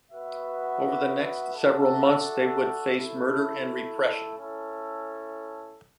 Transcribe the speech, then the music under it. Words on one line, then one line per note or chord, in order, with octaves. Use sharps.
Over the next several months they would face murder and repression.
B3 F#4 B4 E5
D4 F#4 A4 E5
A3 E4 A4 E5
C#4 E4 A4